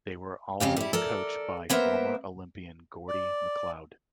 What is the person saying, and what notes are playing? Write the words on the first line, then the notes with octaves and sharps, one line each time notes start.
They were also coach by former Olympian Gordie McLeod.
F2 C#3 G4 F5
G3 E4
A4 A#4 D5
A#3 B3 A#4 C5 E5
D5